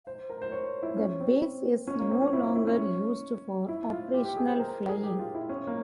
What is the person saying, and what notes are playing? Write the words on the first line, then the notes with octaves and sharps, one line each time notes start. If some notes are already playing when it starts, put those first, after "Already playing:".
The base is no longer used for operational flying.
C5
A#4
C5
C#5
E4
C#4
C4
C#4
A#3
C4
C#4
E4
E4
E4
C#4
E4
F4
G4
G4
G#4
C5
A#4
G#4
G4
F4
E4
C#4
A#3